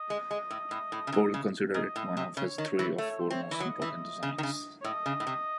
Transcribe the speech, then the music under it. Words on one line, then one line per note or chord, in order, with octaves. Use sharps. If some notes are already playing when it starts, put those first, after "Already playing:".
Pearl considered it one of his "three or four most important" designs.
Already playing: D#5
G#3
G#3
A2
A2
A2
C#3
C3
C#3
G#2 D#5
A2
C3
C#3 C#5
D#3
E3
A3 C#5
C5
C4 C#5
E3 E5
F#3 D#5
E3
C#3
D#3
C#3
C#5
A2 D#5
C#3
A2
C3